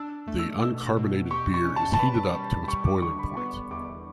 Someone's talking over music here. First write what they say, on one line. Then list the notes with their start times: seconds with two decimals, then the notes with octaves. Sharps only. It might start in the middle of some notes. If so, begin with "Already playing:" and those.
The uncarbonated beer is heated up to its boiling point.
Already playing: D4 E6
0.28 A3
0.39 E6
0.62 B2 E6
0.97 B2
1.30 G4 C#6
1.54 C#6
1.64 C#4
1.76 A5
1.94 A5
1.99 B4 B5
2.33 G3
2.64 B5
2.68 G3 C#6
2.85 D6
3.02 D3 C#6
3.19 B5
3.37 B3 C#6
3.71 E2 D6